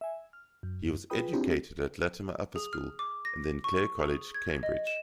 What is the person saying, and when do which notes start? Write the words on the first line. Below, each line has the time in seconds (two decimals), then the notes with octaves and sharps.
He was educated at Latymer Upper School and then Clare College, Cambridge.
0.01 E5 G#5
0.33 F6
0.63 F#2
1.10 F4 G#4 B4 G5 B5 D#6
1.33 C4 D4 E4 F4 G4 G#4
2.56 G#4
2.73 F6
2.99 D6
3.25 A#6
3.64 C#6
3.99 G#4
4.34 G#6
4.63 D#5
4.87 E7